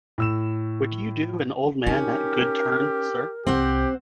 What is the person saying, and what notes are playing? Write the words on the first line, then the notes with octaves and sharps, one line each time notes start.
Would you do an old man that good turn, sir?
A2 E6 E7
C#4 D#4 F4 G4 A#4
C2 C4 G4 C5 F#5